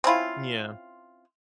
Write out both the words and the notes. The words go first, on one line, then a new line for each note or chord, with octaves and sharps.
N yeah.
C4 C#4 E4 F4